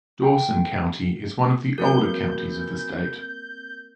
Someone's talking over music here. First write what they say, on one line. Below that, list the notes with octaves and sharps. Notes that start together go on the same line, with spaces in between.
Dawson County is one of the older counties of the state.
G5
E3 F#3 A#3 C4 A#4 G6